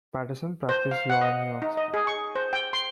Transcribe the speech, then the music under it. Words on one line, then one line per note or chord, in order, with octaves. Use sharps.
Patterson practiced law in New York City.
C5
F5
F#5
D#5
D#4
D#5
G#4
C#6
C5
G5
C6